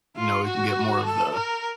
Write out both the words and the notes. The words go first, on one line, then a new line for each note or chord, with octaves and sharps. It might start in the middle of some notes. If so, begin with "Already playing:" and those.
you know, we can get more of the
F4
F#4
A4
A#4